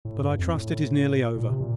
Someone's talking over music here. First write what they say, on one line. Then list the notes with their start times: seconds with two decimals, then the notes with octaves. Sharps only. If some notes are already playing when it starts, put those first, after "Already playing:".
But I trust it is nearly over.
0.05 A2
0.22 G2
0.38 F2
0.55 A2
1.36 A#2
1.49 C3
1.60 A#2